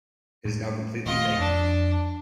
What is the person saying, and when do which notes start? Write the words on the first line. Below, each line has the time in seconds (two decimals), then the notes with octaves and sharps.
It is now completely vacant.
0.45 A2 G3
1.06 D#1 A3 F4 D#5
1.40 F2 D4